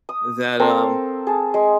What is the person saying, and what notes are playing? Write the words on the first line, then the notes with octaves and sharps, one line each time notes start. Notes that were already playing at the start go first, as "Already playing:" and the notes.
that, um,
D#6
C4 A4 A#4 F5
G#4 A5
G#3